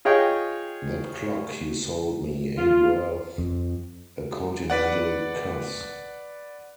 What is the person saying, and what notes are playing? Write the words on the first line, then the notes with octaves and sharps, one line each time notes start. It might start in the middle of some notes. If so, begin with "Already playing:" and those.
That clock you sold me ain't worth a continental cuss.
F4 G#4 C#5 D#5 G5
F4
F2
B4 D5 F#5